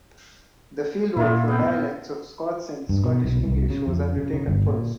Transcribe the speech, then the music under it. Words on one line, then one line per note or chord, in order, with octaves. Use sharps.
The fieldwork for dialects of Scots and Scottish English was undertaken first.
A#2 E4 F4
B3 G5
G2
B2
B1
C2
C#3
F2
C#3
C#3
G1
A#2